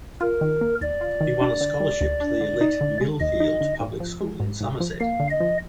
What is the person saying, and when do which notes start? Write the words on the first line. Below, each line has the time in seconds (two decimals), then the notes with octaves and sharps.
He won a scholarship to the elite Millfield Public School in Somerset.
0.21 F4 A#4
0.41 D#3
0.61 A#3
0.81 D#2 D5
1.01 F4
1.21 D#3
1.41 D4
1.61 D3
1.80 G3
2.01 D2
2.20 D4
2.41 D3
2.61 D#4
2.81 D3
3.01 G#3
3.20 D#2 D#5
3.40 D#4
3.61 D3
3.80 G#2
4.00 F3
4.21 G#3
4.40 G#2
4.61 G#2
4.80 F3
5.00 A#3 F5
5.20 D3
5.30 D#5
5.40 F3